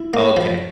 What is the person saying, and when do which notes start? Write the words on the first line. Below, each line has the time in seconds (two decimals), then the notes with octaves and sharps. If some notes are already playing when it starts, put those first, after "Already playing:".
oh okay.
Already playing: E4
0.14 A#3
0.37 F3